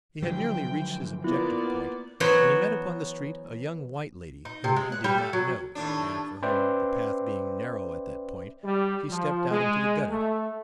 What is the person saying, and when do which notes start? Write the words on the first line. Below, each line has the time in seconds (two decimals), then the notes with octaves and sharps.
He had nearly reached his objective point when he met upon the street a young white lady, whom he did not know, and for whom, the path being narrow at that point, he stepped out into the gutter.
0.22 D3 F3 F#3 G5
1.24 A#3 B3 E4 F4 D5
2.20 E3 F#3 B3 F#4 C5 C#5
4.45 D#4
4.64 C3
4.76 G#3
4.92 F#5
5.04 G3
5.18 A4
5.33 F#3
5.75 D#2 A2 D4
6.42 C#4 B4 C5 D5 E5 G5
8.64 G3
9.09 F3
9.51 G#3
10.09 A3